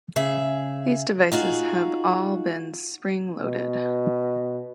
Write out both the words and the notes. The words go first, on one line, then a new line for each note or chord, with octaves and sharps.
These devices have all been spring loaded.
C#3 G#4 E5
D#4 F4 F#4 G#4
B2